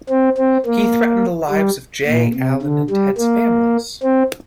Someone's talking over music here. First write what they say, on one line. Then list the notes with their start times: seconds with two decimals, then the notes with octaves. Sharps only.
He threatened the lives of Jay, Alan, and Ted's families.
0.09 C4
0.37 C4
0.66 A#3
1.51 G3
2.07 A#2
2.34 C3
2.62 D3
2.90 G3
3.18 A#3
4.03 C4